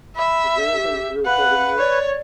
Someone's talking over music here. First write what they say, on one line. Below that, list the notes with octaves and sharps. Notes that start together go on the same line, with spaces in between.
Is anything irritating you?
E5 B5
G4
B4 F5 F#5
C#5 D5